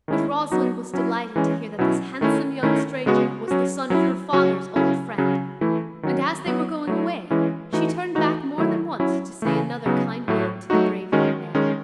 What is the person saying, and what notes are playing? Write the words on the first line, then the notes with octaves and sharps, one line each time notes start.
But Rosalind was delighted to hear that this handsome young stranger was the son of her father's old friend, and as they were going away, she turned back more than once to say another kind word to the brave young man.
D#3 G#3 C#4 E4
F#3 B3 D#4 F#4
F#3 C#4 E4
E3 G#3 C#4
B2 F#3 C#4 E4
D#3 A3 C#4 E4
D#3 A3 C#4 E4
C#3 G#3 B3 F#4
F#3 C#4 F#4
F#3 C#4 E4
C#3 F#3 C#4 F#4
C#3 F#3 C#4 E4
C#3 F#3 C#4 F#4
E3 A3 E4
D#3 F#3 C#4 F#4
F#3 B3 E4
F#3 A3 E4
E3 G#3 C#4 E4
E3 A3 D#4 F#4
E3 A3 D#4 F#4
D#3 F#3 A3 E4
F#3 C#4 E4
C#3 E3 A3
C#3 F#3 B3 D#4 F#4
A2 F#3 A3
F#3 A3 D#4 F#4
D#3 G#3 C#4 F#4
D#3 G#3 C#4